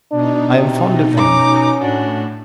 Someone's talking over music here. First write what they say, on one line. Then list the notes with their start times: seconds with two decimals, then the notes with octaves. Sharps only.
I am fond of him.
0.12 B2 D4 D#4
0.58 C3 D4
1.16 C#4 A#5 D6
1.81 A2 D4 F#4